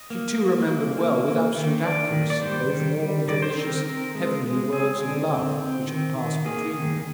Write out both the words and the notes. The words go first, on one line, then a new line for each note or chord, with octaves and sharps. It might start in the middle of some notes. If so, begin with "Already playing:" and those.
She too remembered well, with absolute accuracy, those warm, delicious, heavenly words of love which had passed between them.
Already playing: D#5
A#3
A#3
A#3
A#3
A#3
D#3
A#3 D5
D#3
D5
G3 C5
D#3
G3
D#3 D5
C5
C4 A#4
C4
G#3
G#3
C4 G#4
D3
C4
C4
D#3
D#3
A#3 G#4
D#3